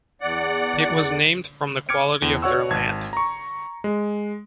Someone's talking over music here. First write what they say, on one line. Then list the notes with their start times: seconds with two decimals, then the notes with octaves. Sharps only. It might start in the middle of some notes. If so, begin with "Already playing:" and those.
It was named from the quality of their land.
0.21 E2 D5 F#5
1.89 D6 F6 G#6 C#7 D7
2.22 E2
2.42 F#4 C#5 D5 F#5 C#6 E6
2.70 G#1 A5 G#6
3.13 A#5 C#6
3.84 G#3